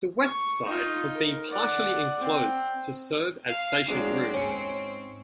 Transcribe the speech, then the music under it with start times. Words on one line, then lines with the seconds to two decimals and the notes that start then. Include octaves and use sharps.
The west side has been partially enclosed to serve as station rooms.
0.24 C#6
0.65 D#4 F4
1.15 A#4
1.50 D5 F#5
2.20 C4
3.47 F5
3.88 F#3 G#3 C4 D4
4.34 G#2 C#4 C#7